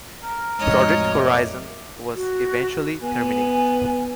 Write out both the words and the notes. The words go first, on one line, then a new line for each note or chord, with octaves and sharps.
Project Horizon was eventually terminated.
A#4
F2 A2 F#3 G#3 D#4 C#5 D#5
A#4 D5 E5
F#4
B3 G#5